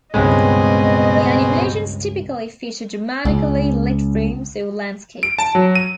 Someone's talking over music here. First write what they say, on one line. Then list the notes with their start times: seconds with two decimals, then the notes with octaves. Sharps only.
The animations typically feature dramatically-lit rooms or landscapes.
0.14 C#2 G2 B2 G#3 C4 G#4 D#5
3.25 C#2
5.23 D7
5.38 A5
5.55 F#3
5.75 D#7